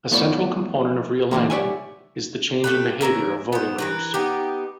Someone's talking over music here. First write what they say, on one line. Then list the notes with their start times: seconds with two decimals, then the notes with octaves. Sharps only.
A central component of realignment is the change in behavior of voting groups.
0.11 F3 A3 B3 E4 C#5 D5
1.31 A#2 D3 E3 A#3
1.50 G4 C#5 D5 E5 F#5 G#5
2.64 A3 G4 B4
3.01 E3 C#4 A#4 E5
3.53 B3 C5
3.78 E3 A#4 B4
4.14 B3 D#4 G4